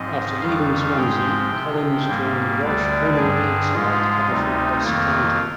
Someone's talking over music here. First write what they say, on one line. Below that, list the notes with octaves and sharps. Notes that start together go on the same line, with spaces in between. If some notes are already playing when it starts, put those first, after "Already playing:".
After leaving Swansea, Collins joined Welsh Premier League side Haverfordwest County.
Already playing: G#2 F3 C4 D#5
F2 D#3 G3 F5
G#2 F3 G#3 C4 G5
C3 F3 C4
G#2 G3 A#3
D2 D3 G3 D5
G2 D3 G3 G#4
G#2 F3 G#3 F4
D2 C3 G3 C4 D#4
F2 D#3 A#3 F4